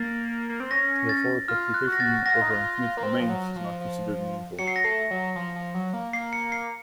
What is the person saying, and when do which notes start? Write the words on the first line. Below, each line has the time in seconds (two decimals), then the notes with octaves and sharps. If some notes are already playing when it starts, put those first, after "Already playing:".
Therefore quantification over infinite domains is not considered meaningful.
Already playing: A#3 A6
0.49 A#3
0.60 C4
0.71 C#4 A#6
1.09 A6
1.48 F4 F6
1.74 F#6
1.87 F#4
1.92 A#6
2.00 A6
2.26 F#4 A#6
2.34 F4
2.42 D#4
2.50 F4
2.97 A#3
3.03 C4
3.20 F3
3.29 F#3
3.56 F3
3.81 F3
4.59 F#3 C#7
4.68 C7
4.76 A#6
4.84 A3 C7
5.11 F#3
5.35 F3
5.55 F3
5.74 F#3
5.93 A#3
6.13 A#3 C7
6.33 C#7
6.52 C7